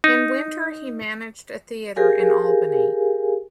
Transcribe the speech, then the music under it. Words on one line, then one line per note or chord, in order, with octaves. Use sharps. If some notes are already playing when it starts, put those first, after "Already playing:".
In winter, he managed a theatre in Albany.
D#4
G4 G#4 A#4 F5 G#5